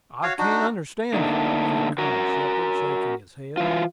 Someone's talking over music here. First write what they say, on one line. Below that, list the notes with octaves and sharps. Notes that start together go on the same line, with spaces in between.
"I can't understand it," said Colonel Shepard, shaking his head.
F#4 C#5 F5
D4 D#4 F#4
D3 A3 A#3 D4 D#4
F#4 A#4
E3 F4